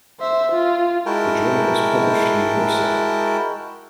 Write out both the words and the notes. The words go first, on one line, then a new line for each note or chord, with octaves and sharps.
The journal was published in Warsaw.
C5 E5
F4
G#3 E4 F#4 A#4 G5 A5